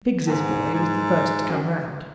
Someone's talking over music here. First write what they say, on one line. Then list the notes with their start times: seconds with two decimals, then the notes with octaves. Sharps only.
Biggs's boy was the first to come round.
0.27 A2
0.31 G#2
0.73 G#2
1.50 F#2